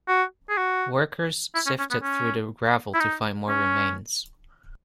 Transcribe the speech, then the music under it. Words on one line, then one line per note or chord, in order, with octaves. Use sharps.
Workers sifted through the gravel to find more remains.
F#4
G#4
F#4
E4
C#4
C#4
B3
C#4
E4
D#4
C#4